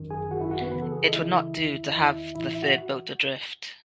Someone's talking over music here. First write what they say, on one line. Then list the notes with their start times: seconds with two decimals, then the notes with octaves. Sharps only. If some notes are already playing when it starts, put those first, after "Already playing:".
It would not do to have the third boat adrift.
Already playing: G#1 F#2 D#3
0.11 G#4 G#5
0.31 G#1 F#2 D#3 F#4 F#5
0.41 E4 E5
0.51 F#4 F#5
0.61 B3 B4
0.72 C#2 C#3 E3 B3 B4
0.82 A4
0.92 G#4
1.03 A4
1.08 D#5
1.12 C#2 C#3 E3 E4 E5
1.54 E2 D#3
1.86 D#5
1.94 E2 D#3 E4 E5
2.35 A1 A2 E3 E4 E5
2.48 E4 E5
2.62 F#4 F#5